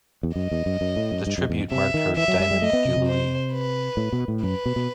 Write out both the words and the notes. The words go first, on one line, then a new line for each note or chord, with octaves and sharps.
The Tribute marked her Diamond Jubilee.
E2
F#2 D#5
E2
F#2
F#2
A2
F#2
G2
F#2
E2
C3 E5
D#3
E3 E5
F#3
G3
G3
A3 D#5
B3
C3
C3
C5
B4
A2
B2
A2
F#2 B4
B2
B2